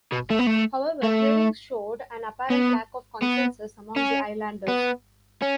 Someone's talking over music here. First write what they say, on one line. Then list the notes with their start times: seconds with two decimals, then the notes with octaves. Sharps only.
However, hearings showed an apparent lack of consensus among the islanders.
0.12 B2
0.30 A3
0.39 B3
0.47 A3
1.03 A3
2.50 B3
3.22 B3
3.96 C#4
4.68 B3
5.42 C#4